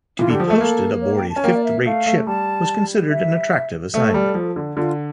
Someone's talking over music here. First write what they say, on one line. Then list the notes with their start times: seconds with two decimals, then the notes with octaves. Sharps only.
To be posted aboard a fifth-rate ship was considered an attractive assignment.
0.19 E3 F4
0.30 D3
0.33 G4
0.40 F3
0.46 A3 A4
0.61 A#3 A4
1.02 C#5
1.17 G5
1.30 A5
1.36 C#4
1.44 A#3 G5
1.55 D5
1.64 E5
1.85 A3 F5
2.06 A3
2.27 G3 A5
3.11 E5
3.93 A3 A4
4.14 G3
4.34 F3
4.56 D3
4.77 D3 F4